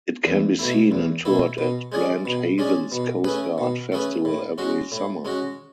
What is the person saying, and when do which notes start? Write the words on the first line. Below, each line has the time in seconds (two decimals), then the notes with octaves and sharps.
It can be seen and toured at Grand Haven's Coast Guard Festival every summer.
0.25 E2
0.59 B2 A3 E4
0.92 E2
1.25 B2 A3 E4
1.58 B2
1.92 G#3 C#4 G#4 D5
2.25 B2
2.58 G#3 C#4 G#4 D5
2.92 B2
3.24 A3 C#4 G#4 B4
3.58 B2
3.92 A3 C#4 G#4 B4
4.25 A2
4.58 G#3 C#4 F#4
4.92 A2
5.25 G#3 C#4 F#4